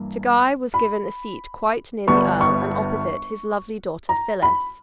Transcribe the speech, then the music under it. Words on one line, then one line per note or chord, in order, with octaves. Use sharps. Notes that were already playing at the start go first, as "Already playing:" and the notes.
To Guy was given a seat quite near the earl and opposite his lovely daughter Phyllis.
Already playing: G2 E3 A#3
B5
G1 G2 G3 B3 C#6
C#6
A#5
B5